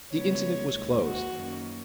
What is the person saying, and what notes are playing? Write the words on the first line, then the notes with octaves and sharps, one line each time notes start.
The incident was closed.
C#3 G#3 B3 C#5
D#2 D#3 G#3
F#4
F#2 D#3 A#3 C#4